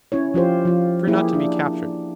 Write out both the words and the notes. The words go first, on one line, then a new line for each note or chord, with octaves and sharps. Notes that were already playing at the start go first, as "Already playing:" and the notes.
Fear not to be captured.
C#4 E4 C#5
F3 F4 G4 C5
F3 F4
A#3 E4 G4 G#4
D4